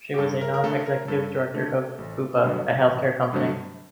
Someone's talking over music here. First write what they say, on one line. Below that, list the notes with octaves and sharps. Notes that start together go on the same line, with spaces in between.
She was a non-executive director of Bupa, a healthcare company.
G4
G2 A4
A#4
A#4
D3 A3 A4
A#4
G2 A4
D3 A3 A4
A1
G2 D3 F#3 A3
A1
G2 D3 F#3 A3